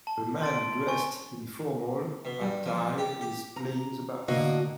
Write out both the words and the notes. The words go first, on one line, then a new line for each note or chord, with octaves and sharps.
A man dressed in formal attire is playing the bass.
A5
C6 A6 D7
G#5 C#6
B2
G2
F3
G4
G4
A#5
A2 D3 A#3 F#4 D#5